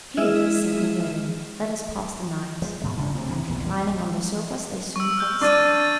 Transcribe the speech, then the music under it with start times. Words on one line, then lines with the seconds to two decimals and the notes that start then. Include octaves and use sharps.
"Here," said Noureddin, "let us pass the night," and reclining on the sofas they soon fell asleep.
0.17 G#3 E4 G#4 D#5 F6 E7
2.62 F3 G#3
2.81 G#2 B2 G#3
2.97 F#1 F#2 C#3 D4
3.15 C3 A3 C4 C#4
3.29 F#1 C3 C4
3.47 A#1 E2 B2
4.96 C#6 E6
5.17 F6 G6
5.41 D4 C#6 A6 D#7
5.80 A6